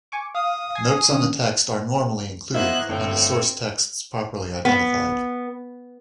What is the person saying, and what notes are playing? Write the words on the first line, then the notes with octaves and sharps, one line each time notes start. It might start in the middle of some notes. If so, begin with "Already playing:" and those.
Notes on the text are normally included and the source texts properly identified.
G#5 C#6 D6
F5 D#6
G#5 C7
D3 D#3 C#4
A#3 B3 E4 C5 D#5 F#6 G#6
G1 A2 C4 A4
B3